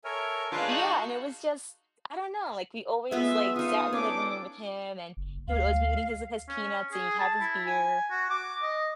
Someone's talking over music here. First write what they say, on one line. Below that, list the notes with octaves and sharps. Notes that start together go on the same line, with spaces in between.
yeah, and it was just I don't know, like, we always, like, sat in the living room with him, and he would always be eating his with his peanuts, and he'd have his beer,
A4 A#4 C#5 E5 G#5
G#3 D4 F4 B4 A5 D6 G6
D#4 F#4 F5
G#3 B3 F4 E5
D#4 F4 F5 D#6
C#4 D4 A4 D6
F#1
D2 F5
C#4
G#4
A5
E4
G#5
F#4
D6
D#5